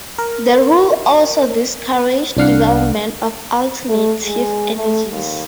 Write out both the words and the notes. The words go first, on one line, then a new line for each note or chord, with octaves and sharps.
The rule also discouraged development of alternative energies.
A#4
C2 D4 F5 F#5
A3
G#3
A3
D#2